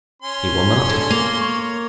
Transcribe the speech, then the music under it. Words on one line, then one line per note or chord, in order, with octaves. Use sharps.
He will not.
C#4 C6
D3
A#3
C#5